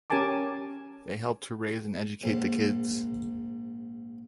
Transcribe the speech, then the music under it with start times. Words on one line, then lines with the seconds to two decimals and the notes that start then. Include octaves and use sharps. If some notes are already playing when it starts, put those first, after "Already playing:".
They helped to raise and educate the kids.
0.10 C#4 G4 A#4 G#5 A5 D6
2.24 A#1 G#2